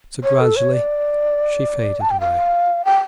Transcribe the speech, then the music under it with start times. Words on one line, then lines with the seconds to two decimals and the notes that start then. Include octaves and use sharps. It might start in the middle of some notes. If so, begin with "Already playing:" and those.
So, gradually she faded away.
0.23 C#5
0.41 A4
0.56 C#5
0.73 D5
2.01 A5
2.11 G5
2.20 F5
2.85 G5